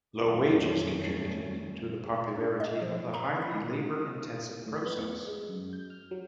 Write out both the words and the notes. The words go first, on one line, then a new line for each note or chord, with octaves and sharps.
Low wages contributed to the popularity of the highly labour-intensive process.
F2 D#3 F#3 G3 A3 C#4
D4
D#5
F3
A#5
B5
G#3
A2
B3
G#3
F#2
G6
F6
F#3